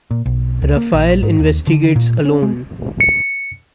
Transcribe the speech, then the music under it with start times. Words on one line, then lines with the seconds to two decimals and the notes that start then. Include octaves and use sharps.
Raphael investigates alone.
0.11 A#2
0.26 B1
0.62 C#2
0.77 A#3
0.93 A#1
1.22 G#2
1.39 D#2
1.67 D3
1.96 A#2
2.25 C#4
2.42 G#3
3.00 C#7